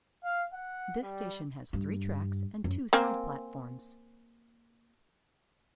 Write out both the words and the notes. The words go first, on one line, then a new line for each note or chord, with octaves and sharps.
This station has three tracks and two side platforms.
F5
F#5
G3
G2
F#2
A#3 C4 G#5